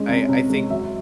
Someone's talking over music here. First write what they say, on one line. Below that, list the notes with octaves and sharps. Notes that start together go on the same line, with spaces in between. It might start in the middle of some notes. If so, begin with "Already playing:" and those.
I I think
Already playing: G#3 C#4
C3
C3
G#3
F#3 E5